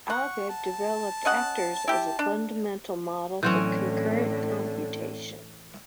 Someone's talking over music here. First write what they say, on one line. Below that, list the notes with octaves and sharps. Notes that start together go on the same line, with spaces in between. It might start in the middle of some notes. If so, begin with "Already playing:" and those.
Agha developed Actors as a fundamental model for concurrent computation.
F#5 C#6
A5
C#4 D#5 F#5
E4 G4
D4
A2 D3 E3 F#3 C4 C#4 G6